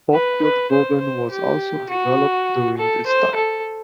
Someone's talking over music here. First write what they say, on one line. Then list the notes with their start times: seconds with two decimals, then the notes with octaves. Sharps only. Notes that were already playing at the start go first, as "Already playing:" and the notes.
Oakwood-Vaughan was also developed during this time.
0.14 B4
0.43 B4
0.72 C5
1.00 C5
1.31 G4
1.89 F#4
2.77 A4
3.06 C5
3.35 A4